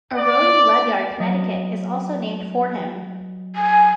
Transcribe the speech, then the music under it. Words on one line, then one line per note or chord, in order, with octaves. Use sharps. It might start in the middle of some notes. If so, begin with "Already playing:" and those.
A road in Ledyard, Connecticut is also named for him.
D5
F#3 D#5
G#5